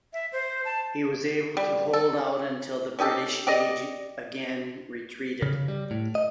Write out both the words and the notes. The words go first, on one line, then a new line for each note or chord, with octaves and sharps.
He was able to hold out until the British again retreated.
E5
C5
A5
G3
A4
C#4 D#4 G4 A4
G4 D5 D#5
C#3
G3
A2
D#5